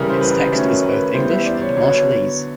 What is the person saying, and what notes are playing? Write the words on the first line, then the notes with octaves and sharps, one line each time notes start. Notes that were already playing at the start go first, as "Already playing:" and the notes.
Its text is both English and Marshallese.
Already playing: C#3 E3 G3 A#4
C5
B4
D#3 F#3 A3 C#4
B4
E3 G3 B3 C5
E5
D5
C#5
D3 F#3 B3 C#5